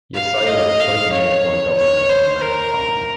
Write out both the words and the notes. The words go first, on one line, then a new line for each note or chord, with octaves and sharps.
Josiah was the first native born governor of an American Colony.
F5
D#5
F5
C#5
C#5
C5
A#4